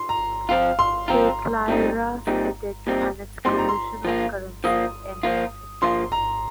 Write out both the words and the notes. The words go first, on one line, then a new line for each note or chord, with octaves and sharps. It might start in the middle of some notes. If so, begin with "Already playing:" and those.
Petlyura's edict and its provision of currency ended.
Already playing: C6
A#5
F3 C4 F4 F5
C6
F3 C4 F4 A#5
A#2 G3 C4 D#4
A#2 G3 C4 D#4
A#2 G3 C4 D#4
A#2 G3 C4 D#4 C6
A#5
C6
F3 A#3 F4
F3 A#3 F4 D#6
F3 A#3 F4
F3 A#3 F4 C6
A#5